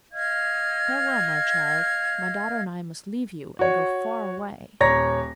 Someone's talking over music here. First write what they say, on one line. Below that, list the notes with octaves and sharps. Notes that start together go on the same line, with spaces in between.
'Farewell, my child; my daughter and I must leave you and go far away.'
D#5 F5 F6 G#6
F#4 C#5
D#1 C#5 A#5 A#6